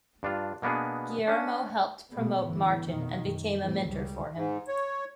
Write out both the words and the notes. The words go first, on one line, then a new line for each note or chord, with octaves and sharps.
Guillermo helped promote Martin and became a mentor for him.
G2 D4 F4
B2 A#3 B3 D4 G#4
C#4 D4
B2 G3 A3 B3
G1 A2 E3
F2 B2 D#3
F#2
A2 E3 C4
C#2 F#2 C#3 G3
G#2
C#5